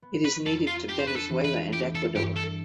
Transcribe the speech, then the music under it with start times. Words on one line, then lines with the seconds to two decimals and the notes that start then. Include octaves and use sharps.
It is native to Venezuela and Ecuador.
0.02 B3
0.25 B4
0.45 F2 A4
0.67 F4
0.87 D4 G4
0.99 C5
1.07 B4
1.16 A4
1.30 E3
1.44 B4
1.73 A3 G4
1.95 A4
2.16 G2 G4
2.36 A4